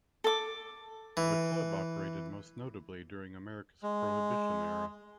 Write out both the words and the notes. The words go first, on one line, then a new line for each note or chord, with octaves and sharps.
The club operated most notably during America's Prohibition Era.
A4 D6
E3
G#3